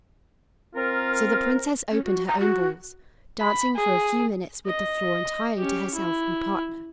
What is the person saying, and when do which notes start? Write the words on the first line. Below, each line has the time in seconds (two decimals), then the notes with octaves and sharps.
So the princess opened her own balls, dancing for a few minutes with the floor entirely to herself and partner.
0.75 C4 F4 A#4
1.92 C#4
2.05 F#4
2.27 A#5
2.40 F#4
3.41 B5
3.76 G#4
4.66 D#5
5.58 C#4 G4
5.94 E4